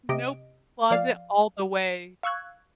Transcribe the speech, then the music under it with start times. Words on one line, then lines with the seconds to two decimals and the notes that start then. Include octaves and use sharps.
Nope, closet all the way.
0.09 C3 G4 D#5 D7
0.91 F3 D5 F5
2.23 F5 C#6 E6 F#6 G#6